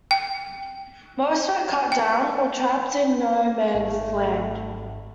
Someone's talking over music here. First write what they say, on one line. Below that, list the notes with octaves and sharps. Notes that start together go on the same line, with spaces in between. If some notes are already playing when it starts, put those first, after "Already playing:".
Most were cut down or trapped in no man's land.
G5
G5
G#1 A3